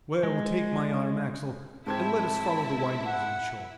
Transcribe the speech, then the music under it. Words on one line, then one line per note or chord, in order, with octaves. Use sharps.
"Well, take my arm, Axel, and let us follow the windings of the shore."
G#3
G#2 C4 E4 E5 A5 G#6
F#5